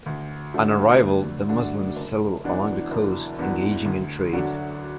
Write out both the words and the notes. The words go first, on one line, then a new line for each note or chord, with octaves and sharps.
On arrival, the Muslims settled along the coast, engaging in trade.
D2
D3 A3 D4 F#4
D2
D3 A3 D4 F#4
F#1
E2 E3 D4 F#4
F#1
E2 E3 D4 F#4
D2
D3 F#3 D4 F#4